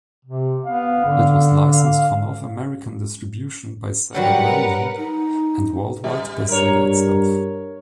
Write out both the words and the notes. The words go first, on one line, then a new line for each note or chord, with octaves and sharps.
It was licensed for North American distribution by Sega-Gremlin and worldwide by Sega itself.
C3
B3 F5
D3
F5
F#3 G3 F#4 A#4 B4 F#5
D#4
G3
G2 A#4 C#5